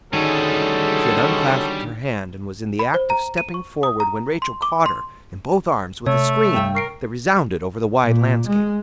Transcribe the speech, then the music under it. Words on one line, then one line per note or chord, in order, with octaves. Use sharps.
She had unclasped her hand, and was in the act of stepping forward, when Rachael caught her in both arms with a scream that resounded over the wide landscape.
D3 D#3 G3 G#3 C#4 F#4 G#4 A4
B5
C5
A#5
D#7
C#6
D#6
A#5
C6
D6
C6
C3 A3 C#5
G2 G5
A#4 C#6 C7 D7
A#2
G#3